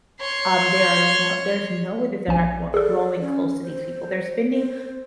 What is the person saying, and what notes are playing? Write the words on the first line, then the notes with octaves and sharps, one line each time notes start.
um, there are no there's no way that they're not gro growing close to these people. They're spending
C#5 C6
A#1 F3 G#5
G#4 A4 D5
C#4
C5
C5